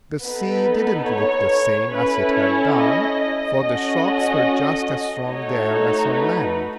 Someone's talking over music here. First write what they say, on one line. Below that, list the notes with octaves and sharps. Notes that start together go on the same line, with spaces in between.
The sea did not look the same as it had done, for the shocks were just as strong there as on land.
B3 D#4 A4 B4
C#5
C#4 E4 A4 B4
C#5
D#5
D#5
C#4 F#4 A4
A3 D#4 F#4 A4 C#5
B4